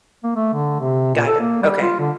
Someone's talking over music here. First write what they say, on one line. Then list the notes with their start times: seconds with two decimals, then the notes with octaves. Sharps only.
Got it. Okay.
0.23 A#3
0.35 A3
0.53 D3
0.80 C3
1.14 A#2
1.27 A4
1.40 A#3
1.62 G3
1.82 F4
1.99 D3